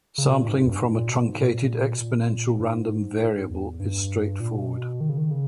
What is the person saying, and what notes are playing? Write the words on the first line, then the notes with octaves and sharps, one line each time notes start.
Sampling from a truncated exponential random variable is straightfoward.
C#3
B2
A#2
G#2
E2
G2
G#2
A#2
B2
G#2
A#2
B2
A#2
G#2
E2
G2
A#2
B2
D#3
C#3
D#3
C#3